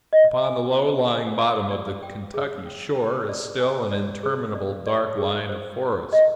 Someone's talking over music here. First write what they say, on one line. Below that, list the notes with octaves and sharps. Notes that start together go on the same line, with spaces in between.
Upon the low-lying bottom of the Kentucky shore, is still an interminable dark line of forest.
D#5
G#5
C5
G#5
D5
D5
G5
G#4
G5
G5
D5
G#5
D5
G#4
D5
D5
G#4
C5
C5
D#5